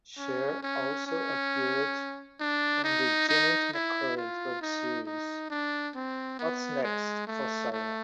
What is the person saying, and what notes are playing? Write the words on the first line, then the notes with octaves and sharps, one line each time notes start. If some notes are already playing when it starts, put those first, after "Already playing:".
Scheer also appeared on the Jennette McCurdy web series What's Next for Sarah?
C#4
C#4
C#4
D4
D#4
D#4
E4
F4
D#4
D#4
D4
C4
B3
G#3
A3
A3